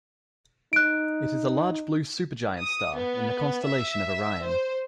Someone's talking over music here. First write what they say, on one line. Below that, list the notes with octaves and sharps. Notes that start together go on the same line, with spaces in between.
It is a large blue supergiant star in the constellation of Orion.
D#4 F#6 D7
D#6
B3
E5
C5